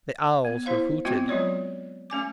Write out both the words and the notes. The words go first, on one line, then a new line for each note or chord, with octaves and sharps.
The owls have hooted.
B3
E4 C5 F5
G#3 B3 C4 F4 F#4 G5
F#3 G#3 F4 C#5 D5
A3 C#4 G#5 D6